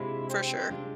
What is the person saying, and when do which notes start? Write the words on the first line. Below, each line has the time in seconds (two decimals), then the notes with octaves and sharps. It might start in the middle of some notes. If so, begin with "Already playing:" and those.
For sure.
Already playing: C3 G#3 D4 E4 F4
0.29 C4
0.70 C3 G#3 D4 F4